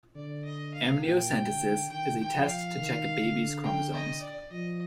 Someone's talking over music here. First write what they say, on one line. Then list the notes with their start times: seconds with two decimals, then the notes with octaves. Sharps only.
Amniocentesis is a test to check a baby's chromosomes.
0.15 D3 D5
0.44 D#5
0.74 F5
1.02 A#2 G5
1.46 D3
1.90 D#3 G5
2.19 G5
2.33 F3
2.48 F5
2.77 D#3
3.21 D3
3.64 G5
3.93 D#5
4.22 D5
4.51 F3 D#5